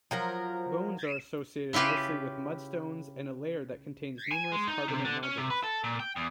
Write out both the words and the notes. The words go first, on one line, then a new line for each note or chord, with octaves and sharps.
Bones are associated mostly with mudstones and a layer that contains numerous carbonate nodules.
F3 F#3 A#4
C#3 E4 F4 G4 B4
G#5
G#3
D#4
C3
D3
C#4
C3
B4
A4
A#2
G5
E2